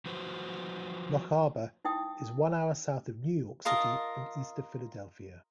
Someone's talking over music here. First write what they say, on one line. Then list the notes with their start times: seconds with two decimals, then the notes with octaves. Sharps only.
Loch Arbour is one hour south of New York City and east of Philadelphia.
0.06 F3 F#3 F#4 B4 C5
1.85 D#4 E4 G5 D#6
3.65 F4 A#4 D#5 A5